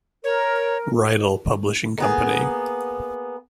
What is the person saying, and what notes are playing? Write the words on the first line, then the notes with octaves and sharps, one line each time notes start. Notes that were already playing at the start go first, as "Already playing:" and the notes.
Reidel Publishing Company.
A#4 C#5
A#3 B3 G#4